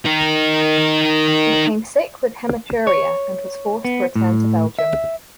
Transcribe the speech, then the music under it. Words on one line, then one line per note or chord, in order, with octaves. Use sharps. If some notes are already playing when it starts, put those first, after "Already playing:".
He became sick with hematuria and was forced to return to Belgium.
D#4 A#4
C#5
B3
A2
E5